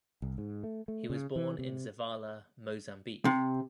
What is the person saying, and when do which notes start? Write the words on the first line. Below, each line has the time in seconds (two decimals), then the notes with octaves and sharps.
He was born in Zavala, Mozambique.
0.22 C2
0.38 G#2
0.64 A3
0.88 A3
1.10 C#3
1.36 E3
1.59 C3
3.25 C3